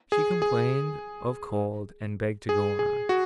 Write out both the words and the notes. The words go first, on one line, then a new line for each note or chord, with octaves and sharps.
She complained of cold, and begged to go on.
G#4
G#4
G#4
G#4
F#4